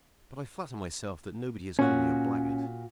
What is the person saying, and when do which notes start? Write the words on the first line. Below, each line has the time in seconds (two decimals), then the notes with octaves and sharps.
But I flatter myself that nobody has called me a blackguard.
1.79 A#2 C#4 F#4